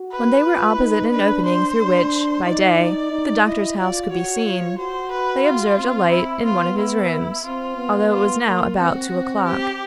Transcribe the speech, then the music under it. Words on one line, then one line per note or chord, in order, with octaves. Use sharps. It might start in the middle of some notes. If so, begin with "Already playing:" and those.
When they were opposite an opening through which, by day, the doctor's house could be seen, they observed a light in one of his rooms, although it was now about two o'clock.
Already playing: F#4
B4
F4
D#4
D4 B4
C5
D4
D#4 D5
D#4
D#4
E4 D#5
F4 D5
F#4 C#5
F4
F#4 C5
B4
F4
C4
E4
B3 F4
E4
C4 F4
B3
F4
A#3 F4
C4 F#4
C4
G4